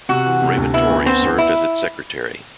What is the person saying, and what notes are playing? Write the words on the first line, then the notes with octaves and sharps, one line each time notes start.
Raymond Torrey served as its Secretary.
C3 F#4
E3
C3
D2
B3 E4
D2
B3 C4
D2
E4